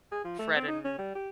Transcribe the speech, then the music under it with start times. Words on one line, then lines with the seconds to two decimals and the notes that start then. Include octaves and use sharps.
Fred and-
0.12 G#4
0.24 F3
0.39 A3
0.56 C4
0.68 D#4
0.84 C#4
0.98 G3
1.15 G4